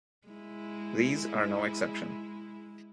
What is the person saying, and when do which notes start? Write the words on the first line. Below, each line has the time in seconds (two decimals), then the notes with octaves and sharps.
These are no exception.
0.28 G#3 E4